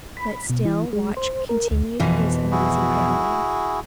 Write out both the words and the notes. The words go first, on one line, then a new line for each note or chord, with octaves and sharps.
But still Watch continued his uneasy growling.
B5
B2
E3
G#3
C5
A#4
D2
F2 B2 E3 C#4
E4 F#4 G#4